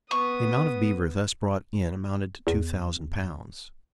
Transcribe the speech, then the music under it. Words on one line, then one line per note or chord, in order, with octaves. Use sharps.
The amount of beaver thus brought in amounted to two thousand pounds.
B3 C#6 D#6
E2